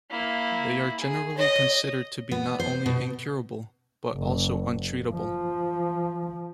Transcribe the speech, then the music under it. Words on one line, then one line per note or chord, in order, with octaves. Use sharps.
They are generally considered to be not only incurable but also untreatable.
A#3 E4
G#4
C#5 D#5
B3
C5
B2
F#1
F3